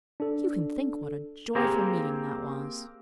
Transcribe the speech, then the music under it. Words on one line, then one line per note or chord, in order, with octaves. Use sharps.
You can think what a joyful meeting that was!
D4 A4
A#3 C4 G4 G#4 C5 A#5